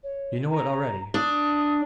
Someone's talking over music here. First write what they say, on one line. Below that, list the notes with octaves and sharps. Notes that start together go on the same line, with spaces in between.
You know it already.
C#5
A#5
D4 D#6